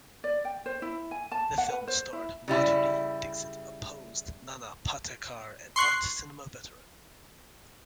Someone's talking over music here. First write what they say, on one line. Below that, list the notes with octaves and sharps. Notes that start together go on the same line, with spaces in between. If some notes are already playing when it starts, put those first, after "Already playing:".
The film starred Madhuri Dixit opposite Nana Patekar, an art cinema veteran.
D5
G5
C5
E4
G#5
A5
F#5
B4
C5
E4
C#3 G3 E4
C6 C#6 F#6 C7